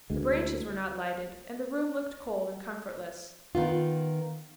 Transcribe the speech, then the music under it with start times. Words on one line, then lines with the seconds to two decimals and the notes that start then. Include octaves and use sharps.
The branches were not lighted, and the room looked cold and comfortless.
0.10 D2 G#3
3.55 D#3 B3 F4